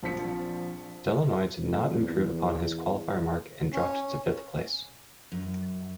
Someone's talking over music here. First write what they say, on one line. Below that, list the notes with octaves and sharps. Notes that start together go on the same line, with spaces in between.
Delannoy did not improve upon his qualifier mark and dropped to fifth place.
A#1 F3 C4 B6 C#7
F2
E2
C#4
F#2